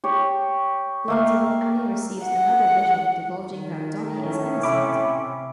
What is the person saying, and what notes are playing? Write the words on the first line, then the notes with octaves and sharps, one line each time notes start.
Later, Annie receives another vision divulging that Donnie is innocent.
G4 C#5
A3 A#3 F5
F#5
D#3
A2 C#4
C3 E5 B5 D6